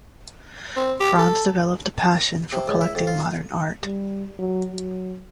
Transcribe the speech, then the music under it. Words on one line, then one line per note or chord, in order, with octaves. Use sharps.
Franz developed a passion for collecting modern art.
C4
G4
A4
C3
C#2
E4
F2
F4
G3
F#3
F#3